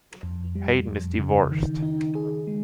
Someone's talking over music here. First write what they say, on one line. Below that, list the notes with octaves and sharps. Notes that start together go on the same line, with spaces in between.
Hayden is divorced.
F2
G3
F2
C#3
D#3
D#4
G#4
G#3